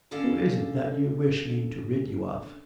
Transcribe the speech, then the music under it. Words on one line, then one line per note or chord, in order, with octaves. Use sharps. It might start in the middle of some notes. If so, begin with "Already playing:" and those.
Who is it that you wish me to rid you of?'
D#2 D3 C#4 A4 D5 F5